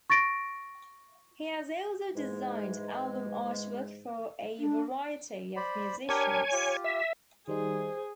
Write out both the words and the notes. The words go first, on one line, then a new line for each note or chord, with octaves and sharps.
He has also designed album artwork for a variety of musicians.
C#6 A6 A#6 D7
G#2 E3 G#3
D4
C5 D5 B5
D4 G4 A#4 C#5 G#5
F4 G4
E5
D#3 G3 D#4 G#4 C5